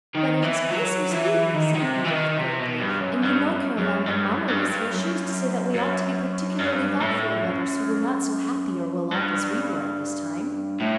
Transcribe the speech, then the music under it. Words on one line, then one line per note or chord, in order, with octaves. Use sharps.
"But it is Christmas week," said Edith gravely, "and you know, Caroline, when Mamma was here she used to say that we ought to be particularly thoughtful of others who were not so happy or well-off as we were at this time."
D#3
E3
F#3
E3
D#3
D#3
C3
E3
D#3
C3
B2
G2
F#2
G2
F#2
F#2
G2
F#2
G2
G2
F#2
F#2
G2
A2
F#2
G2
A2